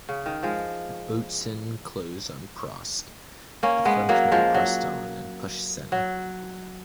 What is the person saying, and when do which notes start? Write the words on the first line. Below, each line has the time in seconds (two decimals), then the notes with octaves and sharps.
Boutsen closed on Prost, but the Frenchman pressed on and pushed Senna.
0.09 C#3
0.26 D#3
0.43 F3 G#3
3.63 A#3 C#4
3.85 G#3 B3
4.09 F#3 A#3
4.32 F3 G#3
4.54 F#3
5.92 F#3